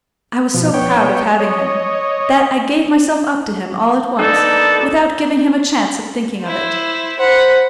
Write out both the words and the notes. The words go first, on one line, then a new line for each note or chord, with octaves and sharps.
I was so proud of having him, that I gave myself up to him all at once, without giving him a chance of thinking of it.
B2 F3
B3 C#5 G5
C#5 D#5
A#3 B3 D4 D#4 A4
E4 C5
C5 F#5 B5